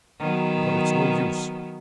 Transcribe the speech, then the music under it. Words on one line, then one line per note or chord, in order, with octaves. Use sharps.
But it's no use.
D#3 F#3 B3